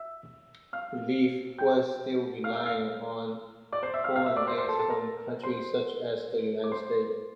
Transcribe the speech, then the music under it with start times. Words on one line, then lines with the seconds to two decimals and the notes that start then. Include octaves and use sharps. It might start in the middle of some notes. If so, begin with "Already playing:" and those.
Relief was still relying on foreign aid from countries such as the United States.
Already playing: E5 E6
0.73 F5 F6
1.58 G5 G6
2.44 F5 F6
2.54 E5 E6
2.66 F5 F6
3.72 D5 D6
3.83 C5 C6
3.94 E5 E6
4.04 F5 F6
4.16 F5 F6
4.26 E5 E6
4.36 D5 D6
4.47 C5 C6
4.58 C5 C6
4.69 A4 A5
4.79 A4 A5
4.90 A#4 A#5
5.43 C5 C6
6.64 D6
6.72 C5 C6